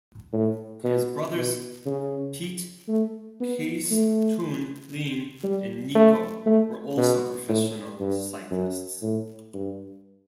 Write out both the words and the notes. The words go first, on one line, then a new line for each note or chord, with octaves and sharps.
His brothers Piet, Kees, Toon, Leen and Nico were also professional cyclists.
A2
B2
B2
C#3
A3
B3
A3
G3
A3
A3
B2
A2
G2
F#2
A2
G2